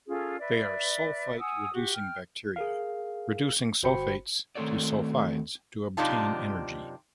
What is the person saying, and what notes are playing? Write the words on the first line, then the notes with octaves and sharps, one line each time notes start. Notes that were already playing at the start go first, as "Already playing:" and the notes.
They are sulfate-reducing bacteria, reducing sulfates to sulfides to obtain energy.
C#4 F4 G#4 A4
B4 D5 E5
F#5 G#5 D#6 E6
F#4 G4
G5 F6
G#4 A#4 F5
G1 F#4 C5 G5 B5 C#7
D#3 A3 C4 A4 C#5 D5
F#2 C3 D4 D#4 F4 A5